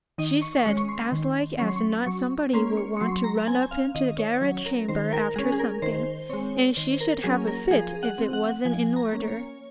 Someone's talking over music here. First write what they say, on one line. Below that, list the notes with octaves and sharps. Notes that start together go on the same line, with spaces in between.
She said as like as not somebody would want to run up into the garret-chamber after something, and she should have a fit if it wasn't in order.
D#3 D#5
C#6
G#3 C#4 C#6
C#6
C6
D#3
F#3 C#4 C#6
C6
C#6
F#3 C#6
A#3 C#4 C6
C#6
C#6
F#3 C6
A#5
C4 G#5
F5
D#3 D#5
C#5
F#3 C#4
A#4
D#3 C5
A#4
G#3 C#4 G#4
G#4
A#4
D#3 C5
G#3 C4 C#5
D#3 C5
A#4
F#3 A#3 C#4 G#4
A#4
F3 G#4
F#5
C4
F#5
F3 G#5
A#5
A#3 C#4
C#5